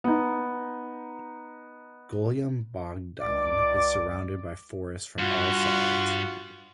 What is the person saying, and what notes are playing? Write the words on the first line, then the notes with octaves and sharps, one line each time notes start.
Golyam Bogdan is surrounded by forests from all sides.
B3 D#4
C#2 D5 D6
G2 F4 F#4